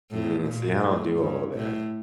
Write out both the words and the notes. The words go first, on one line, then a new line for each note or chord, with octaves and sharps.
Mm, see, I don't do all of that.
A2
A#2
A2
G2
A2